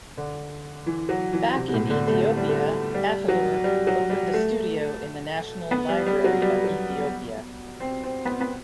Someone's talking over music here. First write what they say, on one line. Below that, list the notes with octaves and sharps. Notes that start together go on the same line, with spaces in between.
Back in Ethiopia, Afewerk opened a studio in the National Library of Ethiopia.
D3
E3
F#3
E3
C3
B2
A2
D3
A3
A3
G3
A3
G3
F#3
G3
F#3
G3
A3
B3
G3
G3
F#3
G3
F#3
C4
C4
B3
B3